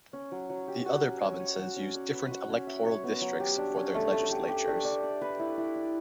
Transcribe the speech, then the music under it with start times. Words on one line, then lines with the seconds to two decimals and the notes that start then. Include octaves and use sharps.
The other provinces use different electoral districts for their legislatures.
0.13 C#4
0.32 F#3
0.50 F#3
0.68 G4
0.86 F#4
1.03 C#4
1.22 C#4
1.40 C#5
1.58 F#4
1.76 C#4
1.95 D5
2.13 B4
2.31 F#4
2.49 C#4
2.67 E5
2.85 C#5
3.04 B3
3.21 F#3
3.40 G4
3.58 D4
3.76 C#4
3.94 A3
4.12 A3
4.30 G4
4.49 G4
4.67 D4
4.85 D4
5.03 D5
5.21 B4
5.39 E4
5.57 E4
5.76 D5